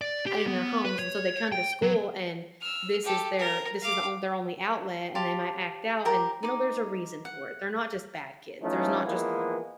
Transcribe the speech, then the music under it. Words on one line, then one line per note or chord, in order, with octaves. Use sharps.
in their homes, and so they come to school, and this is their this is the on their only outlet, and they might act out and, you know, there's a reason for it. They're not just bad kids. There's not just,
D5
G4
B3
B4
C#5
G5
F#3
E6 F6
G4 A4
A#4
F5 D6
G4 F5 A5 C6
G4 A#4 D6
D#4 D6
F#5
E3 F3 A3 C#4 D#4
E3 F3 G#3 A#3 B3